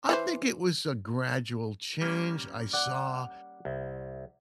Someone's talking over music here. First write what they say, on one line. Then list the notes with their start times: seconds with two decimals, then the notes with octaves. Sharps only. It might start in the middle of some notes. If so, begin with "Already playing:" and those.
I think it was a gradual change, I saw,
0.09 E3 B4 C5
2.01 G3 A#3 C#4
2.73 D5 F#5
3.65 C2